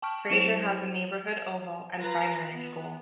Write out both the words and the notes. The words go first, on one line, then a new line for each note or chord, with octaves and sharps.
Fraser has a neighbourhood oval and primary school.
G5 A5 C#6 F6 D7
F#3 E4 C5 C#5
F4 B4 A#5
B3